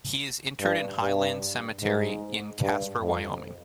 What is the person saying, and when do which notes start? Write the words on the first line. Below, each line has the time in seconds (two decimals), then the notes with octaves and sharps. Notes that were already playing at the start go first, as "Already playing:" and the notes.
He is interred in Highland Cemetery in Casper, Wyoming.
0.60 G2
1.00 G2
1.81 G#2
2.60 G2
3.01 F2